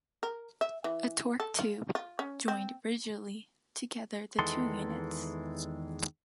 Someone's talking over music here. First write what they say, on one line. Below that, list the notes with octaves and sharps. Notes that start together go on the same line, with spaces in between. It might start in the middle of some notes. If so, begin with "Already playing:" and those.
A torque tube joined rigidly together the two units.
A#4
E5
E3
A4
F4
F4
C#4
C4
E2 D#3 E3 G#3 A4 C6